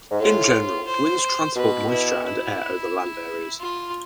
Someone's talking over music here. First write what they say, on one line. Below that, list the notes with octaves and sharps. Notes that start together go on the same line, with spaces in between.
In general, winds transport moisture and air over land areas.
G#2
A2 F4
C5
B2 B4
E4
E4
F4